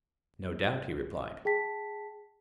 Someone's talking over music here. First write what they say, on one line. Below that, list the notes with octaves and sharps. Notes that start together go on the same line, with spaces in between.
No doubt, he replied.
G#4 G5 A5 B6